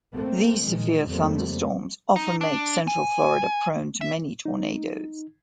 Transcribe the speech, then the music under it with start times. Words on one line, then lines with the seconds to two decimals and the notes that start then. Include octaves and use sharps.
These severe thunderstorms often make Central Florida prone to many tornadoes.
0.14 A3 A#3 C4
0.65 A#2 D#3 F3 G#3
1.07 F2 C#3 G3 A3 A#3 C4
2.16 D#4
2.41 D4
2.87 G#5
4.01 E5
4.45 D#4